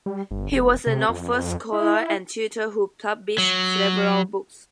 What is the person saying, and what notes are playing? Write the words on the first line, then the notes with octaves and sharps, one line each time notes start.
He was an Oxford scholar and tutor who published several books.
G3
G1
F1
C3
F2
E4
F#3